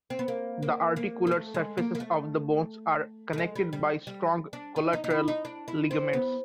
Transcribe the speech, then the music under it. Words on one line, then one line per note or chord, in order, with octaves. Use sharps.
The articular surfaces of the bones are connected by strong collateral ligaments.
C4
B3
A#3
A#3
A#3
A#3
A3
G#3
A#3
A#3
A3
A3
G#3
G3
G3
G3
D4
D#4
D#4
D#4
E4
D#4
D4
E4
C4
B3